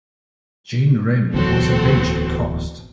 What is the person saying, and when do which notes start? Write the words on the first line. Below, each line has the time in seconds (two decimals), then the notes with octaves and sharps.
Gene Raymond was eventually cast.
1.34 D1 E2 F#3 C4 F#4 A4